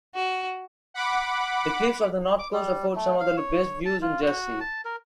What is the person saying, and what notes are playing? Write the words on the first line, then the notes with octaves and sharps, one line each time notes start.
The cliffs of the north coast afford some of the best views in Jersey.
F#4
F#5 B5 D6
D6
G3
A3
F5
C#5
A5
F4
F#4
A5
A#4